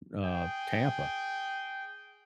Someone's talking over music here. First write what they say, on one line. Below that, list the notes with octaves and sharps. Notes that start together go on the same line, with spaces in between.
uh, Tampa;
G#4 G5